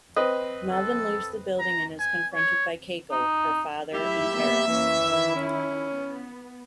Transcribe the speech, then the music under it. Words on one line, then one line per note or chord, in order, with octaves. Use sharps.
Melvin leaves the building and is confronted by Keiko, her father and Paris.
C4 B4 D#5
A4
A#5
G#5
C#5
D#4
F#3 A3 E4 G4 E5
A#3 B3
E3 A#3 C#4
D#3 E4
C#4
B3